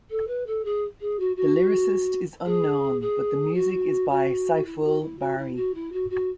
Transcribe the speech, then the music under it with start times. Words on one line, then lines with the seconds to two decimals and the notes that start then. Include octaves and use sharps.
The lyricist is unknown but the music is by Saiful Bahri.
0.10 A4
0.27 B4
0.47 A4
0.65 G#4
1.01 G#4
1.19 F#4
1.36 F#4
2.46 G#4
3.01 G#4
3.55 F#4
4.11 F#4
4.65 E4
4.84 F#4
5.01 E4
5.19 F#4
5.38 E4
5.55 F#4
5.74 E4
5.92 F#4
6.10 F#4